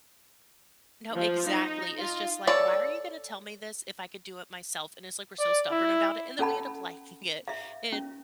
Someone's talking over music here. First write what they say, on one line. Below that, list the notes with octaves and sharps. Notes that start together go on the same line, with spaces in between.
No, exactly. It's just like, "Why are you gonna tell me this if I could do it myself?" And it's like we're so stubborn about it and, then we end up liking it, and
F3
D#4
F4
A4 C#5 D5
D5
E4
C#4 A4 F#5 A5 B5
E5 F5
C#4